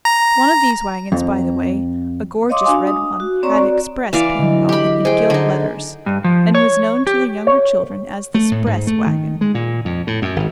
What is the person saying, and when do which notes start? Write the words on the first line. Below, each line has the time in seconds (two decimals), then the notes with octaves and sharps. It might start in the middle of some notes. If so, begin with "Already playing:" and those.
One of these wagons, by the way, a gorgeous red one, had "Express" painted on it in gilt letters, and was known to the younger children as the "'spress" wagon.
0.05 A#5
1.12 F2
2.49 C#5 D#5 F5 C6 D6 D#6
2.66 D4 F#4 F5 G#5
2.87 D#6
3.20 F#4
3.43 C4 C#5 D5 A#5 C#6
3.57 F#4 D5
4.13 E3 D5 F5
4.39 D3 F#3 D#5
4.69 G4 B5
5.05 G#4 C5 G5
5.30 D3 D#4
6.06 G2
6.24 F3
6.55 C#5
7.07 G4
7.47 C#5
8.35 A3
8.51 A2
8.66 G#2
8.87 A3
9.07 D#3
9.41 G#3
9.55 A#2
9.85 F2
10.07 A2
10.22 F#2
10.36 G#1